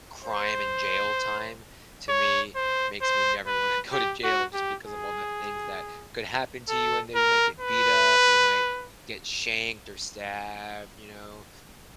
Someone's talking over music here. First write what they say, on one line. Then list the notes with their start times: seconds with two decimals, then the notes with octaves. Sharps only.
crime and jail time to me makes me never wanna go to jail just because of all the things that could happen to you in there. You might get beat up. You might get shanked or stabbed, you know?
0.25 C5
2.09 C#5
2.56 C5
3.02 C5
3.47 B4
3.92 G4
4.23 F#4
4.54 G4
4.85 G#4
6.69 A4
7.15 A#4
7.60 B4